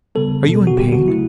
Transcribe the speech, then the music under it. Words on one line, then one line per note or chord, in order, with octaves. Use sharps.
"Are you in pain?"
C#3 G3 B3 A4
B2 F#3 B3
F#4
D3 G3 B3 G4
F#4
C#3 F#3 A3 E4